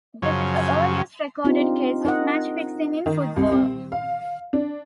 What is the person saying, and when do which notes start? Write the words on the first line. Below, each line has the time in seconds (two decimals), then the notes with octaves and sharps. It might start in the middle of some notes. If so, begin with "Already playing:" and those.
This is the earliest recorded case of match fixing in football.
0.22 F#2 C#3 F3 F#3
1.45 C4 D4 D#4 F4 G4
2.05 D#4 A#4 D#5 F#5
3.06 D#3
3.36 C2
3.52 C4
3.92 F5
4.53 D4